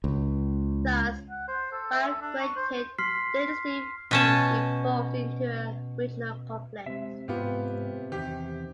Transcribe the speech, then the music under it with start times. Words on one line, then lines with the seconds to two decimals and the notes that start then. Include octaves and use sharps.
Thus, a Bagratid dynastic feud evolved into a regional conflict.
0.04 C#2
1.30 F#5
1.48 C5
1.72 A4
1.93 E5
2.09 A4
2.21 D4
2.40 C#6
2.56 C5
2.98 C6 F6 B6 C7
4.11 B2 C#4 A5
6.86 C3 G#3 E5
7.28 G#2 B3 F4 G4
8.12 E2 D#3 G4